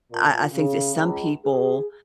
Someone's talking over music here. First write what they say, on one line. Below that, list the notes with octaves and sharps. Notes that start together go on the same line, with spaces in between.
I I think that some people
A#2
C#3
C#2
G#4